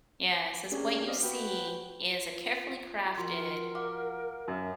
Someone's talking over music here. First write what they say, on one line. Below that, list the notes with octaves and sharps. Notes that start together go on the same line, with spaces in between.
Yeah, since what you see is a carefully crafted,
A#3 C#4 D4 G4 G#4
C4 D5 D#5 F5
F#4 B4 G5
F4
F3 F#4 A#4 C6
F5 F#5 D6
F#2